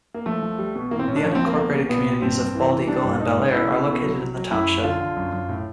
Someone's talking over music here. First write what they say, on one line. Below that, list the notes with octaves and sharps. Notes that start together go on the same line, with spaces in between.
The unincorporated communities of Bald Eagle and Bellaire are located in the township.
A#3
F3 A3
F3
G3
B2
E3 A#3
C4
A2 C#4
D4
F3 C#4
C4
F3
A#3
B2 A#3
G3
A#2 B3
A#2
G2 C4
G2
E3
E3
G3 D4
G2
G#2 D#4
G#2
C#3 E4
C#3
B2
F#3
F#3
F#3
F#2 E4
F#2
D3 F4
D3
F#2
F#2
A2